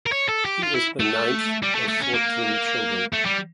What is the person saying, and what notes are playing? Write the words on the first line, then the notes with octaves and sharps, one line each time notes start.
He was the ninth of fourteen children.
A#4
C#5
A4
G4
F4
E4
A3
G3
A3
A3
C#4
A#3
A3
G3